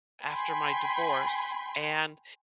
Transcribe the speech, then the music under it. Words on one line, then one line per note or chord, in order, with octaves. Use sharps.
after my divorce. And,
G5 G#5 B5 C6